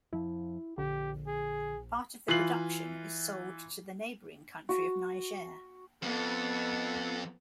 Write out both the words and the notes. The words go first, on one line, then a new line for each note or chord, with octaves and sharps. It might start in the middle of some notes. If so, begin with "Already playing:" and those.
Part of the production is sold to the neighbouring country of Niger.
F2 F3 E4
A#1 D3 G4
G#4
E3 F4 C7 F#7
F#4
F2 B3 A4